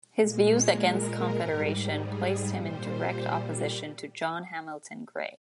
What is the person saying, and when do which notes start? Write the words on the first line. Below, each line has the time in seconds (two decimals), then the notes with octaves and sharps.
His views against Confederation placed him in direct opposition to John Hamilton Gray.
0.19 A#2 G#3
0.48 C#5
0.78 A#4
1.36 G#2 G3
1.95 G#4
2.53 A#2 G3 C5